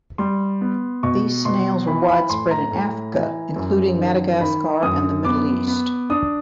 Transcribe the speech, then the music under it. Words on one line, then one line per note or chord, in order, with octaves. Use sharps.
These snails are widespread in Africa including Madagascar and the Middle East.
G3 C6
B3
B2 C#6
B2 C6
E3 B5
B5
A2 C6
A#5
A2
E3
F#2
D#3
D#3 B5
F#2 D#6
B3 D6
B3
D4 D#6